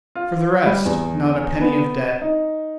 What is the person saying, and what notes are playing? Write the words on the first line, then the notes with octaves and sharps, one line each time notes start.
For the rest, not a penny of debt.
F4
G3
E2
B3
D#4